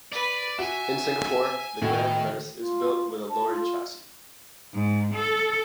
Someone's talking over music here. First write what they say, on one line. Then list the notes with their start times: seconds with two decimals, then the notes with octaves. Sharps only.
In Singapore, the grand hearse is built with a lorry chassis.
0.12 B4 D5
0.59 F#4 E5 G#5
1.82 A2 D#3 E4 F#4 G5
2.59 F4
3.30 A5
3.47 F4
4.72 G#2
5.13 A4